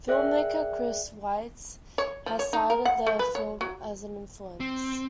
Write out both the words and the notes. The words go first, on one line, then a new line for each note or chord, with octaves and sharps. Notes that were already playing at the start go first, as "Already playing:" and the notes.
Filmmaker Chris Weitz has cited the film as an influence.
G#4 A#4 D5 E5 G5 F#6
C#5
F3
C#5
D#4
A#4
F#5
A3
B4
C#5
F#3
C4